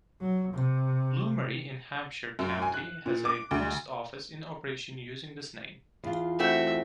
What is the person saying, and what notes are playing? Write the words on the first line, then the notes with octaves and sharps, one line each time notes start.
Bloomery in Hampshire County has a post office in operation using this name.
F#3
C3
F#2
G#5
F#6
A#2
D6
D2
E2 F4
A3 C4 F#4 E5